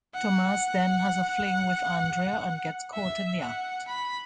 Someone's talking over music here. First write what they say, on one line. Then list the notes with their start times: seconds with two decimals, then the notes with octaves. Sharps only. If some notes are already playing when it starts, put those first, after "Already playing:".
Tomas then has a fling with Andrea and gets caught in the act.
0.14 F#5
2.94 E5
3.40 F#5
3.88 B5